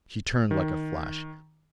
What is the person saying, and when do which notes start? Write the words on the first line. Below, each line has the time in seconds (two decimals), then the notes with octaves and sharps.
She turned like a flash.
0.51 D#3